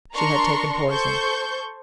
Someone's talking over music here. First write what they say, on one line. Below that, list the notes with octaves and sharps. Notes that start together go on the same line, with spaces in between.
She had taken poison.
D4 A#4 A#5 C6 C#6
A4 C5 C#6 G6